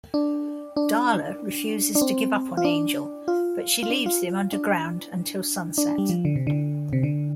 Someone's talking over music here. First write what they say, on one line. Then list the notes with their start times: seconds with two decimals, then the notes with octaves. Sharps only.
Darla refuses to give up on Angel, but she leaves him underground until sunset.
0.14 D4
0.76 D4
1.95 D4
2.01 C4
2.57 F4
2.65 D4
3.28 F4
3.83 F4
3.90 D4
4.06 F4
4.53 D4
5.78 D4
5.98 G3
6.09 F3
6.25 D3
6.36 C3
6.47 D3
6.93 C3
7.03 D3